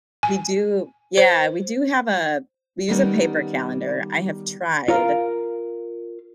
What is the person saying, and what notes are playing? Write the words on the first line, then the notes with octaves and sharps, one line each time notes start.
we do Yeah, we do have a we use a paper calendar. I have tried
G#5
C5
D#3 G3 B3 C#4 D#4 A#4
F4 A#4 F5